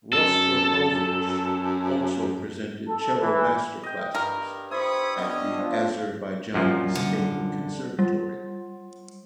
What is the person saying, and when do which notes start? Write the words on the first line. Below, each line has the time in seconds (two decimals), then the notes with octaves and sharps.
Rostropovich also presented cello master classes at the Azerbaijan State Conservatory.
0.13 F#2 A4
2.87 A4
3.19 E3
3.83 D#5 G5
4.15 G2 A#4
4.71 E4 C5 B5 C#6 D#6
5.17 B3 C#4 D4 D#5
5.58 F3
6.54 F#2 A#2 F3 G3
6.95 D3
7.99 G3